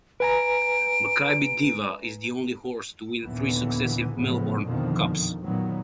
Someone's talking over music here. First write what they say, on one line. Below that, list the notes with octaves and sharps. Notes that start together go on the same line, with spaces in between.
Makybe Diva is the only horse to win three successive Melbourne Cups.
B4 G#5 A#5 D7
D#2 A#2 D3 E3 B3
E2 A2 C#3 F3 B3
F2 B2 D3 D#3 F3
A#2 D#3 F#3 B3